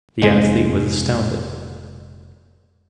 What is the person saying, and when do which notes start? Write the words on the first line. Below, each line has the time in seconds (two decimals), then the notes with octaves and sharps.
The athlete was astounded.
0.22 F1 G#3